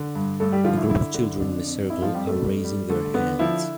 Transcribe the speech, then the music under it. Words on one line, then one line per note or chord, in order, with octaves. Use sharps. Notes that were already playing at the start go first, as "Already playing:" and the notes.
A group of children in a circle are raising their hands.
Already playing: D3
G2
G2 A3 A4
G3 G4
D3 F3 F4
E4
D3 E4
D3
F2 D4
F2
F2 E4
F3 F4
F2 G3 G4
A3 A4
G3
G3
D3 A3 A4
D3 B3 B4
F3 E4